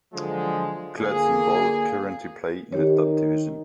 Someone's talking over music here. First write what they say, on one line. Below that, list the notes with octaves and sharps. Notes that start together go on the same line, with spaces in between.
Clubs in Bold currently play in the top division.
D3 F3 F#3 G#3
D3 A#3 F4 G#4
D#3 D#4 G4 C#5